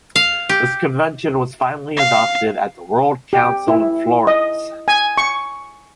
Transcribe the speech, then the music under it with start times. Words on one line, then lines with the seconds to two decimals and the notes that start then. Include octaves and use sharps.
This Convention was finally adopted at the World Council in Florence.
0.16 F5
0.49 G4
1.97 F5
3.33 G4
3.68 E4
4.27 D#5
4.88 G#5
5.18 C#6